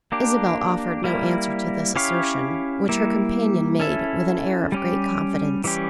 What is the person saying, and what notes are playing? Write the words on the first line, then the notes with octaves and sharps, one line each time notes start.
Isabel offered no answer to this assertion, which her companion made with an air of great confidence.
A#3 D4 G4
G3 A#3 E4
C#4 E4 G4 C#5 F5
G3 A#3 E4
C#4 E4 A4 E5
G3 C#4 G4
E3 G3 C#4 G4